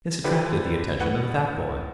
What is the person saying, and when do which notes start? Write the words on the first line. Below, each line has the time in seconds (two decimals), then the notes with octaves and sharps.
This attracted the attention of the fat boy.
0.24 D3 F3 E4 G4 B4
1.00 A2 B4 F#5 C#7